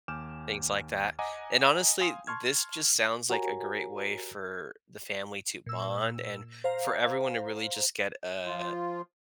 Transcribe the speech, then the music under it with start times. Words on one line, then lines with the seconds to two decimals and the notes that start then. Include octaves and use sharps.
things like that. And, honestly, this just sounds like a great way for the family to bond and for everyone to really just get a
0.08 D#2 G#5 D6 F6 G6 E7
1.19 D#5 F#5 G#5 A#5 D6
2.00 F5 G5 G#5 C6 D#6
2.27 A5 C6 C#6 F6 G#6
3.30 F#4 G4 A#4 C#5 G#5 A#5
5.66 A#2 E6
6.64 C5 F5 A#5
8.46 F3 F4